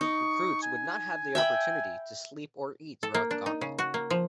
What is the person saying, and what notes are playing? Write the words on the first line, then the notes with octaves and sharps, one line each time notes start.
Recruits would not have the opportunity to sleep or eat throughout the Gauntlet.
D#4 C#6
G#5
E5 G5 B5
A4
A#3
D4
D#4
C#3
F#4
A#3
F3